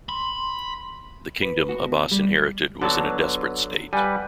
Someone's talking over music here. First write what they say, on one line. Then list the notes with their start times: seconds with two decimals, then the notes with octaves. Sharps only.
The kingdom Abbas inherited was in a desperate state.
0.09 B5 C6
1.42 B4
1.69 F#4
1.80 B2
2.11 G3
2.82 D3 F#3 B3 A5
3.93 G3 B4 F#5 G#5